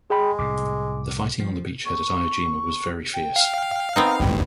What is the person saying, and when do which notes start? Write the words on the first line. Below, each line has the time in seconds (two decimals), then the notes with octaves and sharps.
The fighting on the beachhead at Iwo Jima was very fierce.
0.10 G#3 G#4 G5 B5
0.39 C2 A2 C3 D6
1.39 F3
1.86 C#6
3.14 G5
3.36 F5
3.96 B3 C4 D#4 A#5
4.20 A1 D2 G2 G5